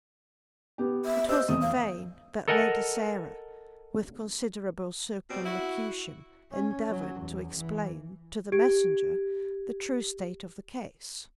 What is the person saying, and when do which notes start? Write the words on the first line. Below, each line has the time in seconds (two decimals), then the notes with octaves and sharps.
It was in vain that Lady Sarah, with considerable circumlocution, endeavoured to explain to the messenger the true state of the case.
0.78 B3 G4
1.05 E5
1.28 C5 D#5 E6
1.48 E2 A3 D#6
1.61 F5
2.48 A4 A#4 D#5 F#5 G#5
5.29 B2 G3 C4
5.45 E4 F#4
6.51 C#4
6.89 F#3
7.22 E2
7.55 E3
8.52 G4 G#6 D7